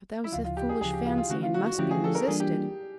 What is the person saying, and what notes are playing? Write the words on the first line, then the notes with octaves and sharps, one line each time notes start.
But that was a foolish fancy, and must be resisted!
E4
D2 C#3 F3 F4
F4
G4
G#4
D2 C#3 F3 G#4
G4
F4
F4
D3 F3 A3 C#4 E4 F#4
F4
F#4
F#4
D3 F3 A3 C#4 E4 G4
G#4
A4
A#4
E3 G3 A#3 D4 F4 G#4
G4